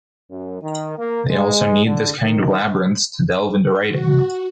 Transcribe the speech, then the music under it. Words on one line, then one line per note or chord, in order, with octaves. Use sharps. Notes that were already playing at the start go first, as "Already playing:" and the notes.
They also need this kind of labyrinths to delve into writing.
F#2
D#3
A#3
G#3
D3
D#3
F#4